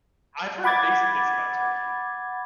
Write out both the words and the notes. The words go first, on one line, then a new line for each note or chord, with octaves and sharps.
I I've heard amazing things about Turkey.
F#5 B5 D6 G#6 A6